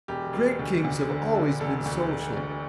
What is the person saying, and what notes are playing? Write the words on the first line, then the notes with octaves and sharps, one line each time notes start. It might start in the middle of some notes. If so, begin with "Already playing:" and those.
Great Kings have always been social.
E1 G4
E1
D2
D2
D3
D3
E1 A4
D2
E1
D2